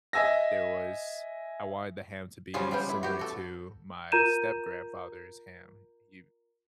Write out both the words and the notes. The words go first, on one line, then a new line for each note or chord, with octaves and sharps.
there was I wanted the ham to be similar to my step-grandfather's ham, he
D#5 E5 G#5 E6 A#6
C#3 F3 G3 C#4 F4 G#4
G3 G#3 B3 F4 G4
E4
F#4 G4
F#4 A4
F4 A#4 A#5 G6 D#7 E7